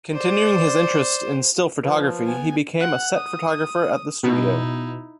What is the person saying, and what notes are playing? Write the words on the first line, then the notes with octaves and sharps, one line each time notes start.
Continuing his interest in still photography he became a set photographer at the studio.
C5 D5
F3 B4
B3 G#5
F#5
D#6
B2 D#4 E4